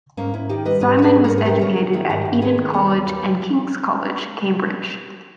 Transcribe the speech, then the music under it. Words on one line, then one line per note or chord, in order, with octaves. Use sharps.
Simeon was educated at Eton College and King's College, Cambridge.
G#2 A#3 C#4
G#2 C#4 E4
D#3 D#4 G4
G3 B4 D#5
G#2 B4 D#5
G#2 G#4 B4 C#5
G3
A#4 C#5
G#2
G#4
G3 G4 A#4
D#3 A#4 C#5
D#3
D#3 E4 G#4
G#2 G4 A#4
G#2
D#3 G#4 B4
D#3
D#2 A#4 C#5
D#2
D#2
G3